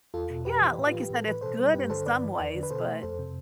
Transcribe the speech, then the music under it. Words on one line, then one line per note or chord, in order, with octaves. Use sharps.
Yeah, like I said, it's good in some ways, but
E2 F4 A4
B2
F2 G4 B4
E3
A2
F4
E3
G4
A2 A4
E3 B4
B2 A4 C5
G3
G2 G4 B4
D3 A4 C5
G2 B4 D5
E3
E2
D3
B4
B2 A4 C5
A3
F2 A4 C5
C3